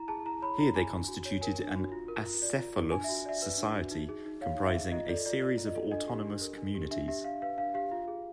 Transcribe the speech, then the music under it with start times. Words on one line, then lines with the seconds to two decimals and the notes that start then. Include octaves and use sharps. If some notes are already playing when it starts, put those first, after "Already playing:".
Here they constituted an acephalous society comprising a series of autonomous communities.
Already playing: E4 A#5
0.08 G#4 A5
0.25 E4 A#5
0.42 C#5 B5
0.58 E4 A#5
0.75 G#4 G#5
0.93 D4
1.08 F#4
1.25 C#5
1.41 A#4 G#5
1.58 D4
1.76 F#4
1.92 F4
2.08 A#4
2.25 F4
2.42 D5
2.58 F4
2.76 A#4
2.91 D4 G#5
3.04 E5
3.09 F#4
3.25 D5 E5
3.42 B4
3.58 D4
3.75 F#4
3.91 D#4
4.09 G#4
4.26 D#4
4.41 C#5 F5
4.59 D#4
4.67 E5
4.74 G#4
4.92 F4 D#5
5.09 A4 D5
5.26 F4 D5
5.42 D5
5.58 F4
5.67 D#5
5.76 A4
5.91 D4 D#5
6.08 G4
6.25 D4
6.42 A#4
6.58 D4
6.75 G4
6.91 D4 E5
7.08 G4 E5
7.24 D4 F5
7.42 B4 F5
7.58 D4 F5
7.74 G4 F5
7.91 F4
8.08 G#4